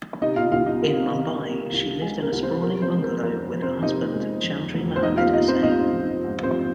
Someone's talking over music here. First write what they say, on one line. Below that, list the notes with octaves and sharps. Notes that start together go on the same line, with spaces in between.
In Mumbai, she lived in a sprawling bungalow with her husband Chaudhry Mohammed Hussain.
C3 D#4 D#5
F4 F5
C2 F4 F5
D#4 D#5
C3 A#4
D#3
C3
C2
G#3 G#4
A#4
C2
C4 C5
C3 A#4
C4 C5
G#3
A#4
F2 A#4
F2
C4 C5
C3 D#4 D#5
G#3
F2
F1
C5
A#1 D#4 D#5
F4 F5
F3 D#4 D#5
C4 C5
A#1 D#4 D#5
F3
G#2
C4 C5